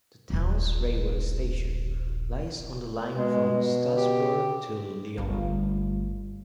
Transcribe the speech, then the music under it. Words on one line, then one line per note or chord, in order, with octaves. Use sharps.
The town's railway station lies on the line from Strasbourg to Lyon.
D#1 A#1
B2 G#3
B2
G4
G1 A3